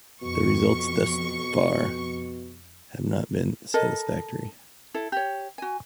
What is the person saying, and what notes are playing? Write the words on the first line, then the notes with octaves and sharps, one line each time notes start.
The results thus far have not been satisfactory.
F2 B2 C#6
A4 A#4 D#5
E4 A4
G4 C#5
F#4 G#5